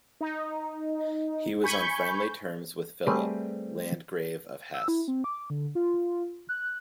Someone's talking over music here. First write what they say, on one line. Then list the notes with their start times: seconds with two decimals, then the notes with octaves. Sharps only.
He was on friendly terms with Philip, landgrave of Hesse.
0.21 D#4
1.63 G#5 B5 C#6 G6
3.06 G3 A3 C4 G4 G#4 B4
4.74 E6
4.88 E4
5.08 C4
5.24 D6
5.50 D3
5.75 F4
6.49 F#6